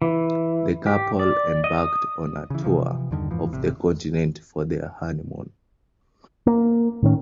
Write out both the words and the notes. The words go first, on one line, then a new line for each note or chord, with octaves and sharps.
The couple embarked on a tour of the continent for their honeymoon.
E3
G4
D5
D#5
D#6
C#3 E3
C3 E3 F3
E2 G2 D3 D#3
F2 G#2 E3 F3
G#1 C3
A#3
A2 D#3 C#4